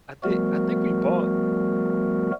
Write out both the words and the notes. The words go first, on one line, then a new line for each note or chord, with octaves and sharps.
I thi I think we bought
F3 G3 A3 B3 F#4 A#4